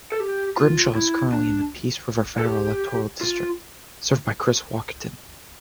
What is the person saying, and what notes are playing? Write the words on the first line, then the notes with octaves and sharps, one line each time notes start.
Grimshaw is currently in the Peace River federal electoral district, served by Chris Warkentin.
A4
G4
F4
E4
D4
A4
G4
F4